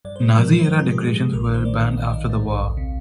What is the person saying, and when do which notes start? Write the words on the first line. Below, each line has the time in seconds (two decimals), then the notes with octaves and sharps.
Nazi era decorations were banned after the war.
0.05 G2 D5
0.16 C5
0.21 G#3
0.36 F3 A#4
0.53 F3
0.60 C5
0.68 G2 A#4
0.79 F4
0.85 G#3
0.91 G4
1.00 G2 G#4
1.17 G#3
1.33 A#1 A#4
1.44 A#4
1.49 D#3
1.54 C5
1.65 D#3 D5
1.81 D#3
1.91 D#5
1.97 A#1 F5
2.13 D#3
2.30 G#2
2.46 A#1
2.61 D2
2.77 C3